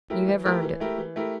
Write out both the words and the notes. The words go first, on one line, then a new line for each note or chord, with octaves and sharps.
You have earned it.
A3 E4 G4 A#4
E3
A3 E4 G4 A#4
E3
A3 E4 G4 A#4
E3
A3 E4 G4 A#4